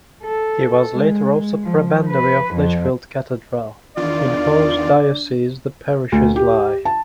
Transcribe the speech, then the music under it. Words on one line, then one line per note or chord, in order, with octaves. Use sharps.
He was later also Prebendary of Lichfield Cathedral, in whose diocese the parishes lie.
A4
G#3
F3
B4
F2
E2 D#3 D4 F4 D5
D2
G4
A5